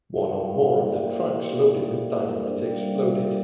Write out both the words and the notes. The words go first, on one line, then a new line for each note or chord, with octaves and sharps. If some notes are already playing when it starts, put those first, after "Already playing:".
One or more of the trucks loaded with dynamite exploded.
E4 D5 F5
E5 G5
E4 E5 G5
C5 E5
A#3 A#4 D5
A#3 A4
G4
E4
E4
A#3 A4
A#3 C5
A#4
A4 C5
D4 A#4 D5
G5
G3 F5
E5
D5
F4 A4 C5
G4 A#4
G3